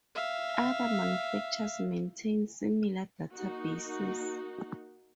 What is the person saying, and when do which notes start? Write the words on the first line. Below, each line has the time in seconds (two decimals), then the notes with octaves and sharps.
Other manufacturers maintain similar databases.
0.15 E5 F5
3.34 A#3 D#4 F#4